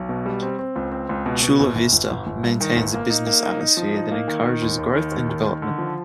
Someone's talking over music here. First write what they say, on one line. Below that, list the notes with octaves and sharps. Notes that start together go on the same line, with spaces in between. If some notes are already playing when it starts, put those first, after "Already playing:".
Chula Vista maintains a business atmosphere that encourages growth and development.
Already playing: B1
B2
G3
C4
C4
C#2
C4
C#2
B2
B2
G1
G1
G1
G1
G1
G2
D#3
G1
A#3
D#4
A#3
D#4
D#4
F3
D#4
A#3
D#3
D#3
D#2
D#2
D#3
D#2
D#3
D#3
D3
F3